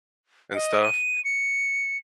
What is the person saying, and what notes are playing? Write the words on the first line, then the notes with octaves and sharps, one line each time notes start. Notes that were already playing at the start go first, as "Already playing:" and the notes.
and stuff,
D#5
D#7
C#7